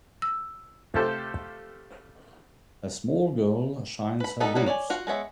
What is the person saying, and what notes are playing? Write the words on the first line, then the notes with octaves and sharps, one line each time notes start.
A small girl shines her boots.
E6
C3 A3 F4 G4 A4 C5
B4 B5
G3 B3 D#4 A4
F#3 G3 B3 E4
C#5 D5 E5 G#5
F4 F#4
G#3 B3 C#5 E5